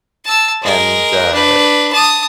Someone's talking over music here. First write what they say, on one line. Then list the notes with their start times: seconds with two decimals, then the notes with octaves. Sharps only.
And, uh
0.24 A5 E6
0.62 G#3 A#4
1.32 D4 B4
1.92 A5 D#6